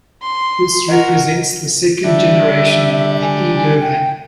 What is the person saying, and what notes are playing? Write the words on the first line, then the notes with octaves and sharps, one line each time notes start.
This represents the second generation of the e-Dirham.
C6
F#4 A#4 D#5
D3 G3 D4 E5
G#5
G5